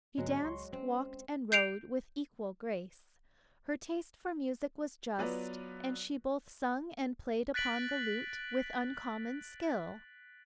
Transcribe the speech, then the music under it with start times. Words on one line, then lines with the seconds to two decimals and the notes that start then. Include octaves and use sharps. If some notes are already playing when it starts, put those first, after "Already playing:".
She danced, walked, and rode with equal grace. Her taste for music was just; and she both sung and played upon the lute with uncommon skill.
0.18 G#2 D3 F#3 G#3 B3
0.44 C#2 C6 C#6
0.73 C4 C#4
1.52 G6 C7 D7 F7
5.19 F#3 B3 F4 B4 D5
7.54 F#6 A6 B6 D7 F#7